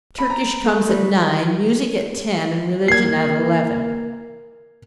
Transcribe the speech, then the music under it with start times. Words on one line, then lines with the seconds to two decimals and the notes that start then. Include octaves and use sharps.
Turkish comes at nine, music at ten and religion at eleven.
0.18 B5
0.30 A#5
0.66 A3
0.89 G3
2.88 A#3 G#6 C7